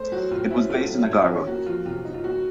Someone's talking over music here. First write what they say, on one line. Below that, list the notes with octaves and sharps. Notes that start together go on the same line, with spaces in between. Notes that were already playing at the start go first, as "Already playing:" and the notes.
It was based in Agaro.
Already playing: A3 C5
F#3 F#4
A2 F4
C#4 E4
A3 F4
F#3
A2
C#4
A#3 F#4
F3 F4
C3 F4
D#4
F4
A#3 F#4